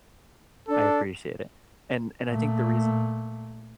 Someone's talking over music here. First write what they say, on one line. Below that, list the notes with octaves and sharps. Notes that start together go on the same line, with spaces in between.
I appreciate it. And and I think the reason
D4 A4
A#2 A3